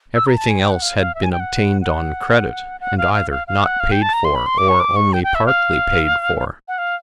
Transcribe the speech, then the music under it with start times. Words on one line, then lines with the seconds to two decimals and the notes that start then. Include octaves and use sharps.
Everything else had been obtained on credit, and either not paid for, or only partly paid for.
0.15 E6
0.27 A#5
0.37 A5
0.48 G#5
0.59 G5
0.71 F#5
0.82 F5
0.99 F5
1.15 E5
1.23 G#5
1.32 G5
1.40 F#5
1.81 F#5
2.80 F#5
2.98 F5
3.14 F5
3.31 F5
3.47 F5
3.63 F#5
3.80 F5
3.91 G5
4.02 A5
4.13 A#5
4.24 C6
4.35 B5
4.46 C6
4.58 D6
4.68 C#6
4.80 D6
4.96 C#6
5.13 G5
5.24 G5
5.35 E5
5.46 F5
6.68 F#5
6.78 F5